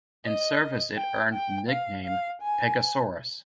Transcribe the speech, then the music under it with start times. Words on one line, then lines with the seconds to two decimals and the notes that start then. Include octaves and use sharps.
In service it earned the nickname 'Pegasorous'.
0.26 D#5
0.97 G5
1.33 G5
1.69 F5
2.05 F5
2.41 G#5